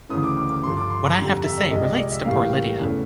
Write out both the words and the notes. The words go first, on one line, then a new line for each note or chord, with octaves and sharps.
What I have to say relates to poor Lydia.
D2 C#3 E3 D#6
D6
D6
D6
G2 D3 F3 C6
D6
C6
A#5
F2 D3 G3 A#5
A#5
E5
D5
C2 C3 F3 G#3 D#5
D5
D5
E5
A2 E3 G3 A#3 F5
E2 C#3 E3 A3